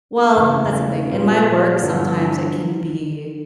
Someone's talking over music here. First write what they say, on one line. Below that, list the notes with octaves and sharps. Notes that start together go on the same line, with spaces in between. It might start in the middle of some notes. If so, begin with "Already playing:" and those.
well, that's the thing, in my work, sometimes it can be
E2 C#3 E3 A3
A#2 G3 B3
G2 D3 F#3 B3 D4